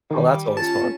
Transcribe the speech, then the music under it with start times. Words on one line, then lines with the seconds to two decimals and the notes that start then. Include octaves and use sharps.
Well, that's always fun.
0.11 D#3 G3
0.57 C#4 F4 A5